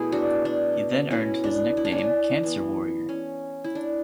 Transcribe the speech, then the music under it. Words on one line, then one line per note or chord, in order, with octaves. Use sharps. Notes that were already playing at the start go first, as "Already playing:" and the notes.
He then earned his nickname "Cancer warrior".
Already playing: B2 A3 E4 G#4
D4 F#4
D4
C#4 E4
D4
E4
D4
C#4
D4
E3 B3
C#4
E4
D4